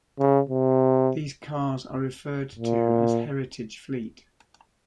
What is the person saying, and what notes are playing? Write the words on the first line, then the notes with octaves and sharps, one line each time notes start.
These cars are referred to as Heritage Fleet.
C#3
C3
A#2